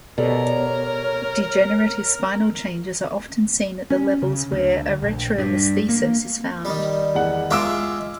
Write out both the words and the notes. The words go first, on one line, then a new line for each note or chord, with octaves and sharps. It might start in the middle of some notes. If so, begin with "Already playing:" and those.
Degenerative spinal changes are often seen at the levels where a retrolisthesis is found.
B2 G4 A4 A#4 C#5 D5
C#4
C#3
D2
A#1
G2
A#3
D#3 G3
E2 F#5
G#3 F4 E5 F5 D6 E6